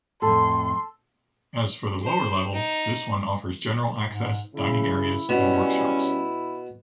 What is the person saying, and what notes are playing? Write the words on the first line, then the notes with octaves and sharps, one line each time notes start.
As for the lower level, this one offers general access, dining areas, and workshops.
F2 A2 A4 C6
C5
D#4
G#2
C#3 E4
B2 G3 C#4